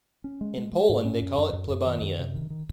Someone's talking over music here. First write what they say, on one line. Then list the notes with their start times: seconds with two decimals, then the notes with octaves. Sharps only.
In Poland they call it "Plebania".
0.24 C#4
0.41 G#3
0.57 G#3
0.73 G#3
0.89 G#2
1.05 C#4
1.21 F#2
1.38 F#2
1.53 F#2
1.70 F#2
1.86 D#3
2.01 F#2
2.18 C3
2.34 D#3
2.50 D#3